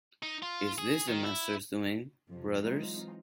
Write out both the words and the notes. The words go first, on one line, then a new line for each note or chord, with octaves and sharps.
Is this the Master’s doing, brothers?
D#4
F4
G#4
D#3
E4
F2 C3 F3
E3 F#3 G#3 C4 D#4 F4